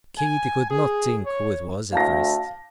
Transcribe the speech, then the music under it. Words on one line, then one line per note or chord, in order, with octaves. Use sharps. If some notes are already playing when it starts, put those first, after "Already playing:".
Katy could not think who it was, at first.
G#5
G#4
C#5
D2 F5 A5 A#6